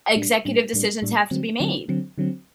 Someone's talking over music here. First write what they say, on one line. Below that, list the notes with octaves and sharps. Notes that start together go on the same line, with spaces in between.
executive decisions have to be made,
A2 G3 D4
A2 G3 D4
A2 G3 D4
A2 G3 D4
D3 F#3 C4
D3 F#3 C4
D3 F#3 C4
D3 F#3 C4